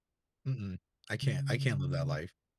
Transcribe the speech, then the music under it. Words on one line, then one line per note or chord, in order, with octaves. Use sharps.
Mm-mm, I can't I can't live that life.
C#3